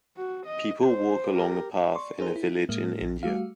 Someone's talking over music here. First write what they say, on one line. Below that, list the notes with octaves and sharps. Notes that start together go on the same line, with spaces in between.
People walk along a path in a village in India.
F#4
D#5
C5
G4 A#4
D5 C6 C#6
D#4 G#4 A#4 C5
E4
A2 G#3 A#3
A#1
G3 A3 F#4 F5